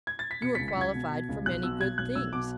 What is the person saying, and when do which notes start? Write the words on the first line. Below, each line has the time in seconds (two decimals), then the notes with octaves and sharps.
You are qualified for many good things.
0.07 G#6
0.19 A6
0.31 B6
0.42 B2 C#7
0.55 B6
0.59 C#2
0.68 B6
0.77 C#2 G#6
0.94 B2
1.11 B2
1.29 C#2
1.46 B1 F#6
1.63 B2 E6
1.81 B2 G#6
1.98 B1 F#6
2.15 B1 E6
2.33 B2 D6